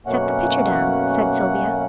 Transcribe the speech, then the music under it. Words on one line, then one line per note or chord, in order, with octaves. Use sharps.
"Set the pitcher down," said Sylvia.
F#2 B2 A3 A#3 C#4 F#5